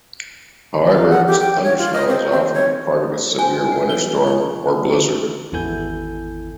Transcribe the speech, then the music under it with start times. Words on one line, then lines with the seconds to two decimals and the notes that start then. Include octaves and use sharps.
However, thundersnow is often a part of a severe winter storm or blizzard.
0.87 F5
1.09 F#5
1.27 G4
1.39 G5
1.64 C#5
1.78 F4
1.93 D#5
2.08 C4
2.30 C4
2.54 C#5
3.39 G#4 C5 G5 G#5
3.72 C7
3.89 E3 F#3 B3 G7
4.27 C#5
5.52 G#1 E2 E4 A4 G#5 G6